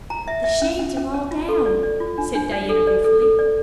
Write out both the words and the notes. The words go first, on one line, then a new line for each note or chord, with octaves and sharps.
"The shades are all down," said Diana ruefully.
A#5
E5
E5
C#4
C#4
C#4
C#4
F4
A4
D5
D5
F4
D4
D4
D5
A4
D5
A4
A4
D5